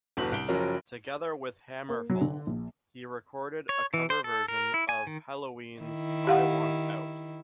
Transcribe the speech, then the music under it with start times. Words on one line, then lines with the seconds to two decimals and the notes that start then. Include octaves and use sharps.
Together with HammerFall he recorded a cover version of Helloween's I Want Out.
0.17 G1 E2 B2 F#7
0.32 C2 D7 G7
0.49 F#1 F3 F#3 C#4 A#4
1.89 A#3
2.10 F#3
2.21 D3
2.47 A#1
3.69 C#5
3.94 E3
4.10 C5
4.24 A4
4.48 A#4
4.74 E4
4.89 G#5
5.07 D#3
5.80 D#3 E4
6.27 G4 F5 F#5